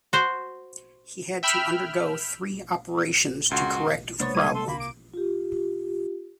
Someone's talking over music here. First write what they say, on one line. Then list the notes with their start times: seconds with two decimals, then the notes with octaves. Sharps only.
He had to undergo three operations to correct the problem.
0.13 F#4 C5
1.43 E5 G5 B5 E6 F6
3.51 C#2 F#4 C6
4.20 C3 G#3 A#3 B3 D4 C5 C#5 A6
4.35 G3 G#6 D#7
4.54 A4 C6
4.68 C2 D3 A#3 B5
4.80 D6 D7
5.14 F4 G4